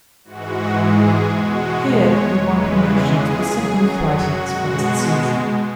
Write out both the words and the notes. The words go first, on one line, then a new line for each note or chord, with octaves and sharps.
Here, he won promotion to the second flight in his first season.
G#2 E3 G#3 F#4
G#4
E2 B2 G#3 F#4
C#5
E2 C#3 E3 G#3 B4
G#4
F#2 F#3
F#4
B2 G#3 F#4